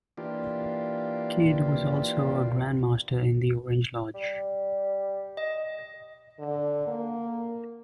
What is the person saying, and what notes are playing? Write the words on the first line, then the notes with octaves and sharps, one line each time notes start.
Kidd was also a Grand Master in the Orange Lodge.
E3 A#3 D4 F4 G4
G3
D#5
D3
A#3